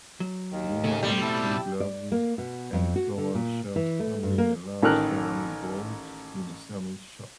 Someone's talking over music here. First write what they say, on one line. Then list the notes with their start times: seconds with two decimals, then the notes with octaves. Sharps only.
Woman with blue gloves and floral shirt handling a large ceramic bowl in a ceramic shop.
0.20 F#3
0.52 D#2 D#3
0.84 C#3 A3 G#4
1.03 B2 G3 C4
1.22 E4 A5 E6
1.80 D5
2.12 A#3
2.38 B2
2.73 F2
2.96 F#4
3.18 D3
3.35 A#2
3.76 E3
4.00 A3
4.23 G2
4.38 A#3
4.82 A1 D#3 A4 A#4 F6 F#6